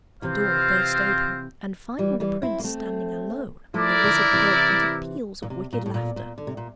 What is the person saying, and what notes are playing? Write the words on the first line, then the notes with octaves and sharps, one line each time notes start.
The door burst open, and finding the prince standing alone the wizard broke into peals of wicked laughter.
C3 E3 C4 F4 C5 F5
E3 G3
E3 G3
C4 E4
A#3
A3 C4
F3 A3 E4 A#4 D5
D3 F3
C3 E3
A#2
C3
A#2
A2
A#2
A#2
D3
C3
A#2